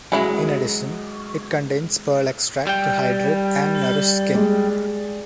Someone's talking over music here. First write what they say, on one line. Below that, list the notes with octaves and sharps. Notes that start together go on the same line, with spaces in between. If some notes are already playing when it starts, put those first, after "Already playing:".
In addition, it contains pearl extract to hydrate and nourish skin.
F#3 G#3 C#4 E4
G3 G5
G#3 G#4 D5